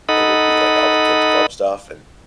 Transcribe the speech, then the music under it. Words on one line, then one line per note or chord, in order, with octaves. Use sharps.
it would be, like, all the kids club stuff and,
D#4 A4 D#5 F#5 B5